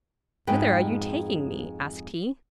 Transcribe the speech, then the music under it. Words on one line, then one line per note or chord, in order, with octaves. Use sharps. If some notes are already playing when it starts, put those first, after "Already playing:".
"Whither are you taking me?" asked he.
F2 G#2 G#3 F#4 B4 G5